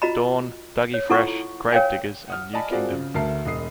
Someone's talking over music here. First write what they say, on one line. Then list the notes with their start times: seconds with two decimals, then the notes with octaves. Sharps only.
Dawn, Doug E. Fresh, Gravediggaz, and New Kingdom.
0.02 F4 F#4 D#5 A#5 B5
0.94 C#5
1.10 E4 F4 A4 F#5 A#5 C#6
1.72 A#4 C#5 F5 G5 G#5
2.28 F#5 D#6 F6
2.53 D5 D#5 G#5 A5 B5
2.71 C4 F4 F#4 G#4 A#4 D5
2.91 C#3
3.14 D2 A3 A#4 A5 C7
3.45 E1 D#5 D#6 C7